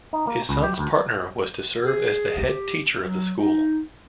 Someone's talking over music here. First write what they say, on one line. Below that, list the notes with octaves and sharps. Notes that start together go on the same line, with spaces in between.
His son's partner was to serve as the head teacher of the school.
D#4
A#3
C#2
G4
D2
G#4
G4
F#3
D#4